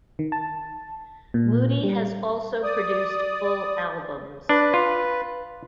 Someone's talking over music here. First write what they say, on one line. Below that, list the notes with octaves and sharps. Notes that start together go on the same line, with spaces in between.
Moody has also produced full albums.
D#3
A5
A#2
G3
D5 D#6
D4 B4
F4